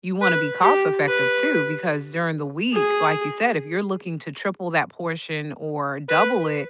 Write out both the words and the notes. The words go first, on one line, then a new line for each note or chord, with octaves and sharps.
you wanna be cost effective too because during the week, like you said, if you're looking to triple that portion or double it,
B4
G4
B4
G#4
B4